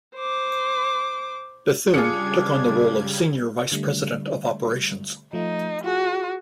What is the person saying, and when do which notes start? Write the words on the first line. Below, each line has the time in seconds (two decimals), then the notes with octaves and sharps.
Bethune took on the role of Senior Vice President of Operations.
0.15 C5 D6
1.94 C#3 G3 D4 F4 G#4 G#6 C#7
3.72 D3 G3 A3
5.33 F3 A3 D#4 F4
5.84 F4 F#4 G#4